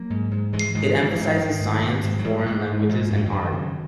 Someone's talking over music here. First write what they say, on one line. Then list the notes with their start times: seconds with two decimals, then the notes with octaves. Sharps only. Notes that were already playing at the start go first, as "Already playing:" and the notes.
It emphasizes science, foreign languages, and art.
Already playing: F#3 A#3
0.10 G#2
0.31 G#2
0.53 G#2 E3 G#3
0.75 G#2 D#3 F#3
0.96 G#2 E3
1.17 G#2
1.39 G#2 D#3
1.60 G#2
1.82 G#2
2.03 G#2
2.19 F#3
2.24 G#2 E3
2.46 G#2
2.67 G#2
2.89 G#2
3.10 F#2 F#3
3.18 G#3
3.25 D#3 F#3
3.32 F#2
3.53 C#3